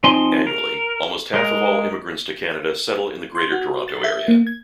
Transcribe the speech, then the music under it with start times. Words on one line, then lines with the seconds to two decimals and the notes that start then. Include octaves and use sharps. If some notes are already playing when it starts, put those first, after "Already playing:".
Annually, almost half of all immigrants to Canada settle in the Greater Toronto Area.
0.04 F3 C4 D#4 G#5 C6
0.47 A#4
1.34 G#3 A#4
3.35 C6
3.52 F#4
3.88 A6
4.04 E5
4.28 A#3
4.47 G#6